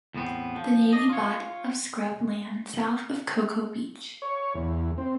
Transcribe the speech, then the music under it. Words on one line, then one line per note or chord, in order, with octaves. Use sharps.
The Navy bought of scrub land south of Cocoa Beach.
E2 A2 B3 C4
F3
D4 D#5
F4 C#5
C#5
E2
C4